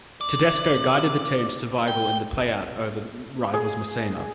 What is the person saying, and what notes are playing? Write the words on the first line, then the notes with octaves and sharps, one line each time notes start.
Tedesco guided the team to survival in the playout over rivals Messina.
D5
G5
G#4